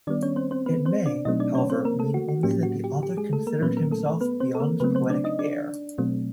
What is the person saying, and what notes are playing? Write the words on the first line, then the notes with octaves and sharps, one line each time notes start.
It may, however, mean only that the author considered himself Bion's poetic heir.
D#3 G3 B3 D4 D5
C#4 C#5
C4 C5
C4 C5
B3 B4
C4 C5
D4 D5
B2 F#3 A3 C4 D#4 D#5
D4 D5
C#4 C#5
C4 C5
A#3 A#4
A3 A4
F#4
F#4
A2 F#3 A#3 C#4 G4
F#4
G4
G4
G#3 G#4
A3 A4
A#3 A#4
A#2 F#3 A#3 B3 C#4 B4
A#3 A#4
A3 A4
A3 A4
B3 B4
C4 C5
A4
A#3 A#4
C#3 F#3 A3 B3 C4 B4
C4 C5
D4 D5
D#4 D#5
D4 D5
B2 F#3 A3 C4